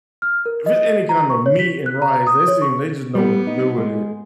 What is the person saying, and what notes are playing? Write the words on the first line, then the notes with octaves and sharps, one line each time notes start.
if it's any kind of meat and rice, they seem they just know what to do with it,
F6
A#4
D#5
A#5
C#6
C#5
B6
F#6
A#5
D#6
C#5
C#6
G3 B3
D#4
G#3